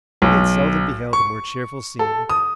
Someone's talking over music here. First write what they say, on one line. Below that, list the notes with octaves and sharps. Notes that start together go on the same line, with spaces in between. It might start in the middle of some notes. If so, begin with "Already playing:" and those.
He had seldom beheld a more cheerful scene.
B1
C#6
A4
D#6